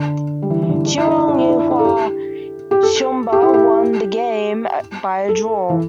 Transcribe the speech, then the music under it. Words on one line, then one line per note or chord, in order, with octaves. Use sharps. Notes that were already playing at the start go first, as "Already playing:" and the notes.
Cheonan Ilhwa Chunma won the game by a draw.
Already playing: D3
G3
E3
E3
D3
E3
D4
E4
D4
E4
D4
E4
D4
E4
D4
A4
G4
G4
A4
G4
E4
G4
A4
E3